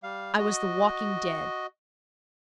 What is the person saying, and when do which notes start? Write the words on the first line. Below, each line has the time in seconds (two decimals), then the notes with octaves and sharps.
I was the walking dead.
0.03 G3 F5
0.38 F#4 D#5